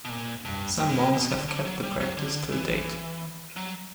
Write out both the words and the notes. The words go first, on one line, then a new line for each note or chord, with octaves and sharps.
Some monks have kept the practice till date.
B2
A#2
G2
G2
B2
A#2
B2
D3
D3
F#3
G3
F#3
D3
E3
F#3